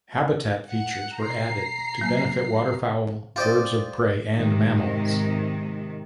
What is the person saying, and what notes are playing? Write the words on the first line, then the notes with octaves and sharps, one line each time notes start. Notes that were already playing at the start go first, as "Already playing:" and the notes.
Habitat features were added to benefit water fowl, birds of prey and mammals.
F#5
B2 A#5 G6 C7
F#3 A#3 G#5
F4 G4 C5 D5 D#5
G#2 C3 D#3